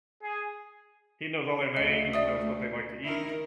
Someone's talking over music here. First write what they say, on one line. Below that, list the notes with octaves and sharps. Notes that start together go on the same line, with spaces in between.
he knows all their names, he knows what they like to eat.
G#4
D2 A3 D#5
D5 E5 D#6
D#3 E4 A#4